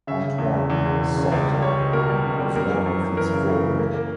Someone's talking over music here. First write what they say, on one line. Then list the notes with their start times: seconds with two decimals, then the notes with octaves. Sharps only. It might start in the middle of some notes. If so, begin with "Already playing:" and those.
Antoine Sauter was one of its foremen.
0.07 C#3 E5
0.23 C#3
0.38 E2
0.54 C#3
0.70 E2
0.86 E1
1.00 E1
1.16 C#3
1.31 C#2 D5
1.47 G3
1.62 G3 C#5
1.78 C#2
1.93 B2 A#4
2.09 G3
2.25 C#2
2.40 G3
2.56 F#2 A#4
2.70 E3
2.86 F#2
3.02 F#2
3.17 E3 A#4
3.32 C#3
3.48 C#3
3.63 E3
3.79 A#3
3.94 A#3